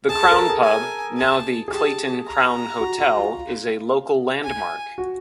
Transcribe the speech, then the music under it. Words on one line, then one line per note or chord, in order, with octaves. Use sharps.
The Crown pub, now the Clayton Crown Hotel, is a local landmark.
G#4 A5
A4
A#4
A4
G#4
G#5
A5
G#4
G4 A5
A#5
F#4
F#4
F4
F4
G#5
F#4